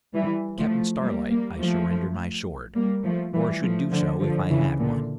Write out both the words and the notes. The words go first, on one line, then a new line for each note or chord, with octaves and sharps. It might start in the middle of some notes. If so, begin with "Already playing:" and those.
Captain Starlight, I surrender my sword--or should do so if I had one.
E3 G3
F3 A3
G3 A#3
G3 A#3
F3 A3
G3 A#3
F3 A3
E3 G3
F3 A3
D3 F3
D3 F3
C#3 E3
A#2 D3